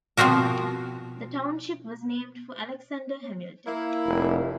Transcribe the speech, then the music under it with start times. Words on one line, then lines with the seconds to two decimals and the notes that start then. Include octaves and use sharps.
The township was named for Alexander Hamilton.
0.17 B2 F3 C4 F#4 A#4
3.65 A#3 E4
4.06 F1